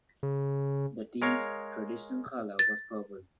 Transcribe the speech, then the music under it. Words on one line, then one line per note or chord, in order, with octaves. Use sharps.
The team's traditional color was purple.
C#3
G#3 A#4 C#5 F5
A6